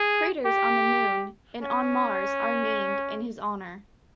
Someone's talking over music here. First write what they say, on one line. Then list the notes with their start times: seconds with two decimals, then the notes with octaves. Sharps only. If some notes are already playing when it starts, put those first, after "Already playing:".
Craters on the moon and on Mars are named in his honor.
Already playing: G#4
0.46 G4
1.62 C#4